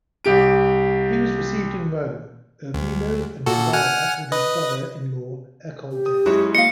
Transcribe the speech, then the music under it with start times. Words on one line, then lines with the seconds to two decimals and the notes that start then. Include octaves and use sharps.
He was received in Rome, Urbino, and Ferrara with his brother-in-law Ercole d' Este.
0.24 C2 G4 D7
2.74 D2
3.46 A#2 F#4 A4
3.73 F#5 G#5 F6
4.32 B4 D#5
5.91 G4
6.06 D#6
6.26 F#2 G#3 E4 F#4 C#5
6.55 A#3 D#5 F5 C#7